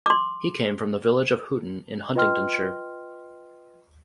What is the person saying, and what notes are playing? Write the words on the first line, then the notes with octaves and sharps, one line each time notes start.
He came from the village of Houghton in Huntingdonshire.
C6 D6
F4 B4 D#5 G5 C6 F6